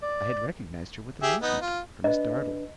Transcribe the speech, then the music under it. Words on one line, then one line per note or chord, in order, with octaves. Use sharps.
I had recognized her with amazement, for Miss Dartle.
D5
G4 G#4 E5
B3 D#4
F4
D4 B4 D#5